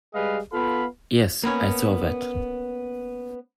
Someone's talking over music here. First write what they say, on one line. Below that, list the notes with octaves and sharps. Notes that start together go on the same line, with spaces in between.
Yes, I saw that.
G3 G#3 G#4 B4 D#5 F5
B3 F4 A4 F5 B5
A#3 B3 C#4 C#5